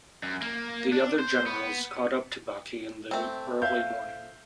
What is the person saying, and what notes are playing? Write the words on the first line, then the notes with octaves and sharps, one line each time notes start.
The other generals caught up to Baqi in the early morning.
F#2
A#3
D4
C5
B3
A3 C4
E5 F5 G6